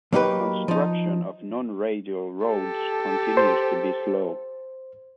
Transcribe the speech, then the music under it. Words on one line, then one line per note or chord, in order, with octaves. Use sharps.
Construction of non-radial roads continues to be slow.
F#3 A#3 D#4 G4 B4
F3 D#4
G4 A4
C5